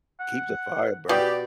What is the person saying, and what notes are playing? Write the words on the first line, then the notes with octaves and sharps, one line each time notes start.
Keep the fire burn
F#5
B2 G4 D5